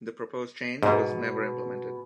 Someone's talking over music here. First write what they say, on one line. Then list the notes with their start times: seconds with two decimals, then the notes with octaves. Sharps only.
The proposed change was never implemented.
0.83 G#2 B2 G#3